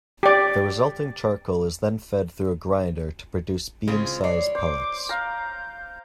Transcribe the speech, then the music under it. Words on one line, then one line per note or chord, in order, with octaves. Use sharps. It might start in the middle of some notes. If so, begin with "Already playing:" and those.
The resulting charcoal is then fed through a grinder to produce bean-size pellets.
G4 D5
C#3 G#3 C4 F4
C#5 D5 C7
C5 D6
F5 A#5 G6